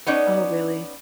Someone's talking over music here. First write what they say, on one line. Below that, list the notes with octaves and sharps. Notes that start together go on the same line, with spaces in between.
Oh really?
B3 C#4 D#4 D5